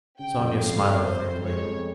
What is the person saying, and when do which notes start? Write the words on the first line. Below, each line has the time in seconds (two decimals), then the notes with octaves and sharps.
Sonia smiled faintly.
0.19 C#3 G5
0.39 F2
0.60 F2 F5
0.81 F2
1.01 F2 C5
1.22 F2
1.44 G#3 C#5
1.64 F2